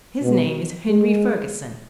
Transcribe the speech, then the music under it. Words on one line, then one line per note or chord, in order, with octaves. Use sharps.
His name is Henry Ferguson.
B2
G#3